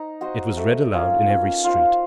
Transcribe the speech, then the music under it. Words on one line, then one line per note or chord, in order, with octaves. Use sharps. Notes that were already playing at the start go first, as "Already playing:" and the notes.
It was read aloud in every street.
Already playing: D#4
F#4 C5 D#5
A3
C#4 F4 A#4
C#4
F4 C5 F5